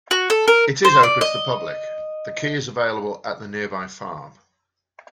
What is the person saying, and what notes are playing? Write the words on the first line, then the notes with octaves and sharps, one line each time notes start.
It is open to the public; the key is available at the nearby farm.
F#4
A4
A#4
C5
D5
D#5